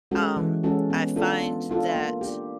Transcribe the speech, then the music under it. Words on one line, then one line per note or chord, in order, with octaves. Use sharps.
um, I find that
G#3 C#4 F#4 A4
E3
G#3 C#4 F#4 A4
B3
D4 F4 A4
B3
D4 F4 A4
A#3
D4 G4